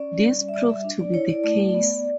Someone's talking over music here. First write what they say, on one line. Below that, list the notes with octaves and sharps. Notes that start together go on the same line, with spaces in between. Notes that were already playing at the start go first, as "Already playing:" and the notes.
This proved to be the case.
Already playing: C#4 D5
G3
E5
G3 D5
E5
D4
D5
E4 C#5
D5
A3 D5
D5
B3